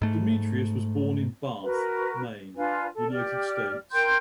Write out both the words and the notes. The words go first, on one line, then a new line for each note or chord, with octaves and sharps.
Demetrius was born in Bath, Maine, United States.
G#2 A3
F#4 A#4 B4
D4 F4 B4 G#5
A4
G4 D5 F6
A#4 G5 C6 G6